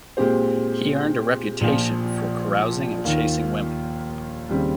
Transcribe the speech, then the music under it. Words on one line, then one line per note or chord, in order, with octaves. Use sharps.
He earned a reputation for carousing and chasing women.
A#2 G#3 C4 G4 C5
A#1 A#2 F3
D#2 D#3 A#3 F4
D#2 C#3 G3 C4